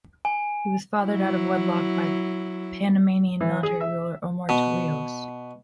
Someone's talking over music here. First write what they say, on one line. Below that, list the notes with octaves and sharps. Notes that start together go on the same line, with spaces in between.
He was fathered out of wedlock by Panamanian military ruler Omar Torrijos.
G#5
F#3 E4
E3
G#4
E5
B2